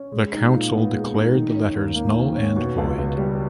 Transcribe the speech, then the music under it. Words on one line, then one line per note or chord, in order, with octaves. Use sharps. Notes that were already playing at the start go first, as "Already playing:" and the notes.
The Council declared the letters null and void.
Already playing: C#4
G#3
D#4
A#2
B3
G#3
D#4
D#3
C#4
D#2
A#3
D#3
C#4
B2
C#2
C#2
G3